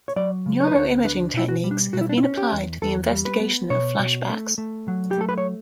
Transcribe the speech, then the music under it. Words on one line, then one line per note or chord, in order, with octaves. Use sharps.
Neuroimaging techniques have been applied to the investigation of flashbacks.
C#5
F#3 D5
C#3
C#5
B4
D2 C#5
D4 B4
B2 E4
F#4
G3
D4
B2 F#4
E4
D4
E4
C#4
G4
E2
E2 A4
G3
B4
B3
B2 C#5
B2
A3
A3
F#3
G4
A3 A4
B4
C#5